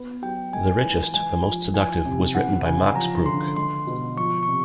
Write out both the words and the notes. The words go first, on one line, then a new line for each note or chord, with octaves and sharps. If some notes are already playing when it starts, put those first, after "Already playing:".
The richest, the most seductive, was written by Max Bruch.
Already playing: B3
F#3 G5
G#3 G#5
E3
G#3 G#5
F3
E3 G#5
C3
E3 F#5
C#3 G#5
F3 A#5
D3 C6
G#3 C6
B2
F3 C#6
C#6
C3